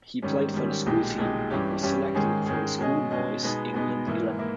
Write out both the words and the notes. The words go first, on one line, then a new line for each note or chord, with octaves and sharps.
He played for the school team and was selected for the schoolboys' England eleven.
G#2 D#3 G3 C#4
G#2 D#3 G3 C#4
B1 A#2 G#3 D#4 G4
B1 A#2 G#3 D#4 G4
G2 E3 G3 C#4 G4
G2 E3 G3 C#4 G4
G#2 D#3 G#3 C#4 G#4
G#2 D#3 G#3 C#4 G#4
B2 G#3 C#4 G#4 D#5
B2 G#3 C#4 G#4 D#5
B2 G#3 B3 D#4
B2 G#3 B3 D#4
G#2 E3 A#3 E4
E3 A#3 E4